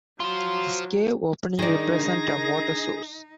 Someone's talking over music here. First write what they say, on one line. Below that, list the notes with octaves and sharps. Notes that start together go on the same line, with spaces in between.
This cave opening represents a water source.
F#3 F4 C5 C6
D#3 D4 D#4 G#4 A#6